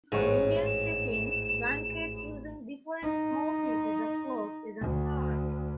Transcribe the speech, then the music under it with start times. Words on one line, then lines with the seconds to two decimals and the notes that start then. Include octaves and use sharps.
In Indian stitching blanket using different small pieces of cloth is an art.
0.12 A1 G#2 C#5 F#6
0.66 E7
3.03 D#4
4.81 D2